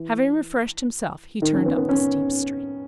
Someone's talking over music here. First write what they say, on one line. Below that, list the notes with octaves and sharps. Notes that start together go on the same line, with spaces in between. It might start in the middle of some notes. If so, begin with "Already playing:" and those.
Having refreshed himself he turned up the steep street.
Already playing: E3
D#3
C#4
B3
B3
C#4